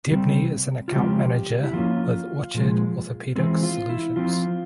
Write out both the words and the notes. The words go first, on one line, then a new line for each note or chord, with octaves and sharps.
Debney is an Account Manager with Orchid Orthopedic Solutions.
C3 G3 C4
F4
C#3 F3 G#3 C4 G4
E4
F3 A#3 C#4 F4
A#2 F3 G#3
E3 G#3 C4
F4
E4
F3 C4 F4